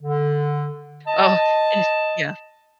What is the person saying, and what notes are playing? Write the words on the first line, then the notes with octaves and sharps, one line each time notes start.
Oh, eh, yeah.
D3
D#5 A5